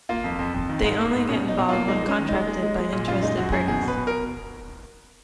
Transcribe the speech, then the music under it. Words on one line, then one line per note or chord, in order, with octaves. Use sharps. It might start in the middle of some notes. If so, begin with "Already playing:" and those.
They only get involved when contracted by interested parties.
A#3 F4
F2
F2
F2
D#3
G#2
A#3
G#2
B2 C#4
B2
D#4
B2
A#3 F4
G#3 D#4
G#3
C#4
D#3
G#3 D#4
G#3
G#3
G#3
A#2
F#2 F4
G#3 D#4
F#2 F#4
F#2 G#4
B2 G#4
B2
B4
B2
A#4